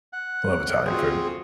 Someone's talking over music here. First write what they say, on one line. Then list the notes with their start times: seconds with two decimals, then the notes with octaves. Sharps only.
I love Italian food.
0.13 F#5
0.85 C4 F4 F#4 G#4